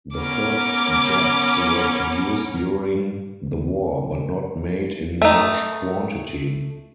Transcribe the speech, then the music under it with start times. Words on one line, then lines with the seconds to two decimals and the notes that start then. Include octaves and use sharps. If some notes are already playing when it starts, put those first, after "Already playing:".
The first jets were produced during the war but not made in large quantity.
0.16 B3 C#4 A#4 D6
5.22 A3 D#4